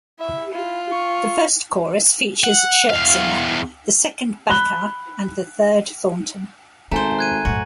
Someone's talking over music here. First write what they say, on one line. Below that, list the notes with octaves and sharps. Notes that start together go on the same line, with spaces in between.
The first chorus features Scherzinger, the second Bacar and the third Thornton.
E4 E5
E4 F4
C#6
F#5
E2 F5
B5 F#6 G7
G#1 C#3 A3 C5 G#5 A#5
F#6 G#6 D#7
F#2 A2 F#4